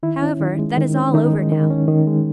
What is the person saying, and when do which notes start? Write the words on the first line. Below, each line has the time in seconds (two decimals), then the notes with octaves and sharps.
However, that is all over now.
0.03 D#3 E4
0.22 C#4
0.40 D#3
0.59 G#3
0.78 D#3
0.96 C#4
1.14 D#3 D#4
1.33 G#3
1.52 D#3
1.70 C#4
1.88 D#3
2.07 G#3